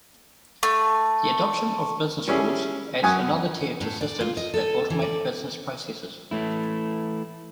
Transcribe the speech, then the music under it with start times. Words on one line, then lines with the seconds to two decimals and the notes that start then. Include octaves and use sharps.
The adoption of business rules adds another tier to systems that automate business processes.
0.63 A3
2.28 G3 C#4 E4 G#4
3.03 F#2 F#4 G#5 D#6
3.81 A2
4.01 D5
4.21 F4
4.37 D#5
4.54 A4
4.90 E3
5.02 D5
6.31 E3 A3 E4